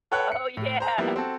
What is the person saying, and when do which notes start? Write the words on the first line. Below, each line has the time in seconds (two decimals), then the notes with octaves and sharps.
Oh yeah,
0.12 A4 B4 C#5 F#5 G5 F#6
0.32 C#7
0.57 A2
0.80 C5 A#5
0.98 F3 G3 A#3 B3 E4
1.16 C4 F#4 A4